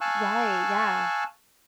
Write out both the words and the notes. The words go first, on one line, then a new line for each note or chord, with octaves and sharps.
Right, yeah.
F5 G#5 A5 C#6 E6 F#6